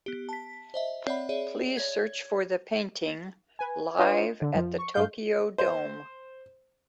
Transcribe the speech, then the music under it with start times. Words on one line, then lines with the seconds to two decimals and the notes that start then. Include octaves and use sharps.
Please search for the painting Live at the Tokyo Dome.
0.06 B3 G4
0.29 A5 B6
0.74 C5 D#5 E5
1.07 C4 C#5 D5 E5 F#5 B5
1.29 G#4 C#5 D5 E5
1.77 C#5 G#6
3.59 B4 G#5
3.98 D4 F4 B4 C#5 D#5
4.42 D3
4.55 F2 F3
4.78 C#6
4.94 G2 F5 G6
5.58 C5